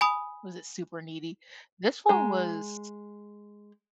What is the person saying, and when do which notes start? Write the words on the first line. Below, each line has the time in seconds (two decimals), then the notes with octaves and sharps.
Was it super needy? This one was
0.01 G#5 B5 D#6
2.09 G#3 A#5